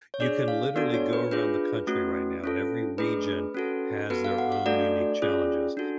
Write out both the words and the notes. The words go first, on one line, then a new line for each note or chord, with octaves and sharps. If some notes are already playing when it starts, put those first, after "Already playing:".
You can literally go around the country right now, and every region has their own unique challenges.
C#5
D4 G#4 D5
F5
B3 D4 F#4 A4 D5
C#5
B4
D4 F4 G#4 B4
A3 C#4 F#4
C#4 F4 A4
A3 D4 G#4 B4
C#4 F#4 A4
B3 F#4 A4 B4
F5
F#5
F5
A3 D4 F#4 A4 D5
C#4 F4 G#4
D4 F#4 A4